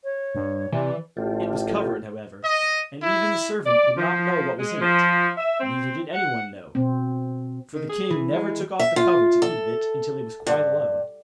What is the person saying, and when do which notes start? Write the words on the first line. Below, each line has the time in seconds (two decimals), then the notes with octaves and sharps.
It was covered, however, and even the servant did not know what was in it, neither did anyone know, for the king never took off the cover to eat of it until he was quite alone.
0.04 C#5
0.35 G2
0.72 C3 E3 D5
1.17 A1 F4 G4 A4
2.44 D#5
3.02 E4
3.65 D5
3.96 F3
4.58 G#3
4.80 F3
5.37 E5
5.60 C4
6.13 F#5
6.75 B2 C4
7.74 D#3
7.90 G#4
8.11 E3
8.31 G#3
8.79 E5
8.96 F4
9.42 A4
10.47 G2